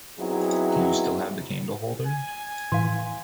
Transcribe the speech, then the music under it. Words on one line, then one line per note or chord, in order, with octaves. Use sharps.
Do you still have the candle holder?
F#3 B3 C4 D#4 E4 G#4
G#5
A2 E3 F5 C6